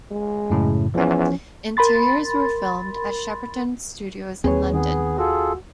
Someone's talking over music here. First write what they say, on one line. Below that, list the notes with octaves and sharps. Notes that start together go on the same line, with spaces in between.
Interiors were filmed at Shepperton Studios in London.
G#3
F#2 A2 C#3
E2 F3 C#4
A#4 B5 C6 A6
D#2 C4 G#4 B4 C#5
D#3 B3 G#4
F4 F#4 G#4 A4